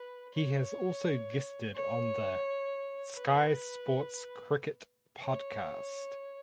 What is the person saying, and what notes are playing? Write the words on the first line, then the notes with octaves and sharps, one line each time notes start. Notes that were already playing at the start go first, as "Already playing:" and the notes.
He has also guested on the "Sky Sports Cricket Podcast".
Already playing: B4
C#5
C#5
B4
C#5